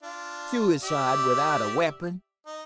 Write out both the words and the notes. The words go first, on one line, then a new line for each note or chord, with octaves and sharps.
Suicide without a weapon!
D4 F4
G4 D5 E5
D#4